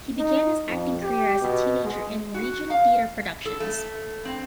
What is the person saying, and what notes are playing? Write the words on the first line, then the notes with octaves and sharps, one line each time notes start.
He began his acting career as a teenager in regional theater productions.
D#4
F2
G4
B2
G#3
F#4
F5
A4
A3
C4